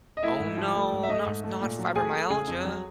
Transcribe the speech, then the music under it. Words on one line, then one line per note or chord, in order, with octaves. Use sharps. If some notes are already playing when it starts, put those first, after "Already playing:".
Oh, no. Not not fibromyalgia.
D#5
A3 E4 E5
G#2
F3
A3
G#2
E5
A3 D#5
G#2
A3
A#2
F#3
A3 G#4 G#5
A3
C#3 G#4 G#5
F2
F#3